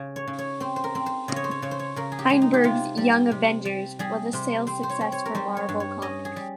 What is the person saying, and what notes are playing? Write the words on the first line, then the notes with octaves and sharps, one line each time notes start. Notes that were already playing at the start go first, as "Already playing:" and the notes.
Heinberg's "Young Avengers" was a sales success for Marvel Comics.
Already playing: C#3
C#5
C#3
C#5
C4 C5
C5
A#4
C4
C5
C#3 D#5
C#5
C5
C#5
C#3 C#5
C5
C#5
C#3 A#4
G#4
G4
G#3
D#4
G4
C3 F4
G3
C3
G3
G3 G#4
C3 C5
C4 C5
C5
C#5
C4
C#5
A#4
G3 C5
C#5
G2
C#5
C#4 D#5
G#4
G3